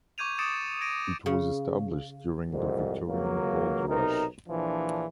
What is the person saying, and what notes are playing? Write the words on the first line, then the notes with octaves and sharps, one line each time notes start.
It was established during the Victorian Gold Rush.
C#6 D6 G6 G#6 D#7 F7
D6 D#6 A6 C#7 D7 E7
G#6 A#6 D7 D#7
C#3
C2 F2 G#2
C#2 F#3 A#3
B1 C3 D#4 A#4
A#1 E3 F3 D4